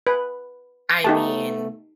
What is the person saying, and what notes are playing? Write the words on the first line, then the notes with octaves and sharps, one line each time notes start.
I mean,
B4
A3 B3 D#4 G4 A5